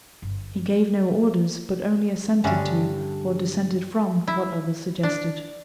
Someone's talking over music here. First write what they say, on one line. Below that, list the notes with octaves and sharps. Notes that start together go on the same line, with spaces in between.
He gave no orders, but only assented to or dissented from what others suggested.
G1
G2 D3 C#4 D4
E4
D4